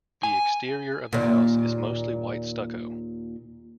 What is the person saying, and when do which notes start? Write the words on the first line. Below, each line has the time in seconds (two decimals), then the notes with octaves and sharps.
The exterior of the house is mostly white stucco.
0.23 G#5
1.13 D#2 A#2